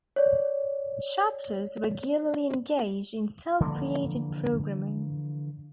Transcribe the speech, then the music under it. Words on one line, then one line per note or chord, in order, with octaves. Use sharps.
Chapters regularly engage in self-created programing.
C#5 D5
D3 E3 F3 A#3